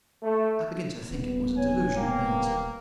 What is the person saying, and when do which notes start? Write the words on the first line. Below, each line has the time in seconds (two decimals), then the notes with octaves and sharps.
"I begin to think it was a delusion," he answered.
0.22 A3
1.11 D#1 B3
1.57 C#5 G#5
1.96 C3 A#3 B3 G5